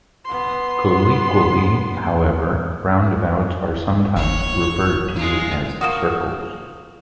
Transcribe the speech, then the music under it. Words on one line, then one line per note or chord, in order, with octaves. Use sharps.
Colloquially, however, roundabouts are sometimes referred to as circles.
B3 C6
G1 C#5
G#3 F4
F3 A#3 F#4 D#6 F6 E7